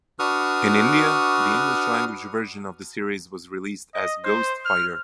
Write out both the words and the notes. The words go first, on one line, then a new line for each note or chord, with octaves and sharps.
In India the English-language version of the series was released as "Ghost Fighter".
D4 F#4 B4 C#6 D#6 F6
D#5
C5
F6